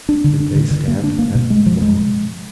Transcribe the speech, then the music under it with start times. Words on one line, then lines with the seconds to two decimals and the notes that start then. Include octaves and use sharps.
Did they stand then alone?
0.09 D4
0.24 D3
0.40 D4
0.55 D3
0.71 D3
0.87 A#3
1.04 D4
1.19 A#3
1.35 B2
1.50 G#3
1.66 F3
1.82 G#3